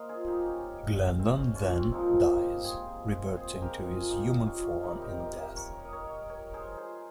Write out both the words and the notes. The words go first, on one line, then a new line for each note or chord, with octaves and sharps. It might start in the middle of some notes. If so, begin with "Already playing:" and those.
Glendon then dies, reverting to his human form in death.
Already playing: A#2 A#4 C5 D#5
F4 G#4
D#4 G4
C#4
C4
C#4
C#4 F4
C4
A#2 F3 G#3 C4 D#4
D#4 G4
G#4 C5
G#4 C5
G4 A#4
F4 G#4
D#4 G4
C#4 F4
C3 D#3 G3 D#4 G4
G4 A#4
G4 A#4
G4 A#4
A#4 C#5
D#5
A#4 C#5
A#4 C#5
G#4 C5
G#4 C5